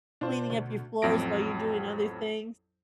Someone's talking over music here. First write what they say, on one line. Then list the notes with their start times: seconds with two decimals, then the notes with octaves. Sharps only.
cleaning up your floors while you're doing other things.
0.21 B2 D4 F4 C5
0.50 D2
1.02 A1 F2 F#3 A#6 D7